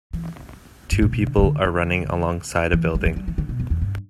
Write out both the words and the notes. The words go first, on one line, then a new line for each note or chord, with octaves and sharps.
Two people are running along side a building.
E3
G2
A2
B2
D3
E3
D3
D3
E3
G3
E3
G3
E3
D3
B2
E2
E2
G2